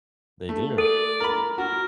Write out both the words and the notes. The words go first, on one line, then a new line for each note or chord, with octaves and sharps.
They do.
A3
A4 D5
A#4 B5
F#4 A#4